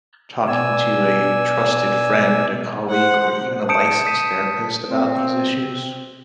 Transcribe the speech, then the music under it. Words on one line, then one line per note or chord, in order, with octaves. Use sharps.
talking to a trusted friend, a colleague, or even a licensed therapist about these issues?
B2 D5 G#5 E6
C5 F#5
A5 D#6 G6 C#7 D7 E7
D#6 B6 D#7 E7
C4